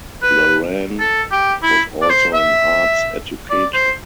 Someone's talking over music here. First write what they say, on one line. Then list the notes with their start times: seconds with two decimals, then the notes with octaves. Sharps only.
Loran was also an arts educator.
0.22 B4
1.00 A4
1.32 G4
1.63 E4
2.02 D5
2.10 C5
2.33 E5
3.50 D5
3.74 C5